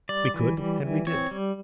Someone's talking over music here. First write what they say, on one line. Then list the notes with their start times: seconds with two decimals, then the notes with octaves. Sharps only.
We could, and we did.
0.09 G3 D5
0.34 E3
0.58 G3
0.82 E3
1.07 C4 C#5
1.31 G3